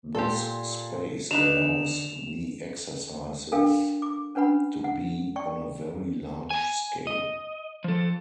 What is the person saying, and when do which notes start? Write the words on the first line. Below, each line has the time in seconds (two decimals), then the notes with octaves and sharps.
This space allows the exercises to be on a very large scale.
0.15 A#2 G4 A4 A5 C6
1.31 D3 D4 D#4 B4 E7 F7
3.52 D4 A4 A#4 F5 G5
4.02 D6
4.35 C#4 D4 B4 F#5 B5
4.84 F#5
5.36 D5 G5 C#6
6.50 G#5
7.07 D#5
7.84 F3 A4